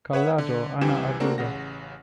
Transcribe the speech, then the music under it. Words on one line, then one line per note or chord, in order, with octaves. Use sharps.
Callado, Ana Arruda.
B4 C#5 E5 F#5
D3
C2 C3 E3 G4 G#5 E7
A3 A#3 C4 D4 F#4 A#4
A1 C#3 F#5 A#6